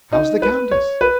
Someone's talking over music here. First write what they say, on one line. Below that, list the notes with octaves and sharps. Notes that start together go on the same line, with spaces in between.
How's the countess?
D#4
B4
C#5
B4